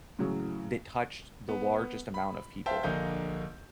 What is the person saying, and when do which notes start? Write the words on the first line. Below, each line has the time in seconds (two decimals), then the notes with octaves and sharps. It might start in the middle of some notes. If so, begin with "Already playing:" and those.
that touched the largest amount of people,
0.19 A2 C#3 E3 F#3
1.48 B3
2.14 B5
2.66 C5 E5 F5 G5 A5
2.83 A#1 D3 A#3 D#5 F5 G6